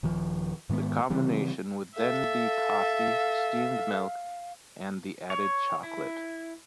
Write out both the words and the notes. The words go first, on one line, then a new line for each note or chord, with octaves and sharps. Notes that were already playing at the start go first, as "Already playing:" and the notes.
The combination would then be coffee, steamed milk, and the added chocolate.
D#1 D#3 F3
G#2 D#3 G#3 B3
C#3 E3 G3 C4
A4 E5 F5
C#5
E4